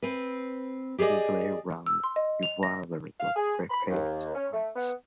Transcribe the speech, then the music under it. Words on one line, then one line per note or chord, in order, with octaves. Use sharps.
He glared round, bewildered, but prepared to fight.
C4 B4
G4 G#4 C5 D5 D#5
E6
C6
D#5
F7
A#6
F5
G#4
B5
D#2
C#4
A3
B3